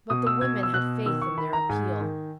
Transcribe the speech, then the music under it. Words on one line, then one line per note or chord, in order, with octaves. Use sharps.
But the women had faith in their appeal.
B2 D#6
E6
B2 G#6
E6
B2 F#6
D#3 E6
C#6
D#3 B5
A#5
G#2 G#5
D#3